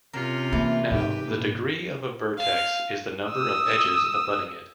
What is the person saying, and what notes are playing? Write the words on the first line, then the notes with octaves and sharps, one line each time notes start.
Now, the "degree" of a vertex is the number of edges abutting it.
C3 C#4 F4 A#4
E3 A#3
G#2 G4 B4
A#2
F5
D#6 E6